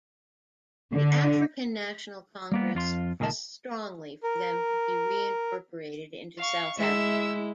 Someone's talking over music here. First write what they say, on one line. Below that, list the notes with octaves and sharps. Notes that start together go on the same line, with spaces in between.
The African National Congress pressed strongly for them to be reincorporated into South Africa.
D3
G3 A#3 B3
F2 F4 C6
C#2 A#2 D#3 A#4 A5
A#4
F5 C#6
G#3 E4 E5 E6